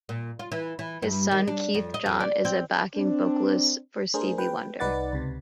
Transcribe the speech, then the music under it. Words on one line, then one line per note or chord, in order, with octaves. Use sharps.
His son Keith John is a backing vocalist for Stevie Wonder.
A#2
F4
E3
E3
G2
D#3
D4
F2
D#5
F2
D5
C4
C4 D4
A3 D4 G#4 A#4 C5
B4 G5
C2 D#4 B4 D5 F#5 A6
C#2 C3